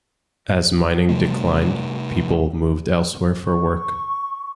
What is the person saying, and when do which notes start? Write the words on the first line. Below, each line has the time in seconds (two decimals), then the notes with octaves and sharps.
As mining declined, people moved elsewhere for work.
1.09 C3 G3 A3
3.45 C#6